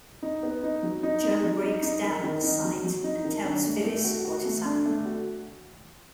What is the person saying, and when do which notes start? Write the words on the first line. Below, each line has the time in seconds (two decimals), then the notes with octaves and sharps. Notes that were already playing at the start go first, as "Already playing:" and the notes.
Joe breaks down at the sight and tells Phyllis what is happening.
0.23 D#4
0.43 B3
0.63 D#4
0.83 F#3
1.03 D#4
1.23 D#4
1.44 F#3
1.63 D#4
1.83 D#4
2.04 D#3
2.23 D#3
2.44 D#4
2.64 F#3
2.84 F#3
3.04 D#4
3.25 D#3
3.45 D4
3.65 A3
3.85 A3
4.04 F#4
4.25 F#4
4.45 A3
4.65 D4
4.86 A3
5.05 F#4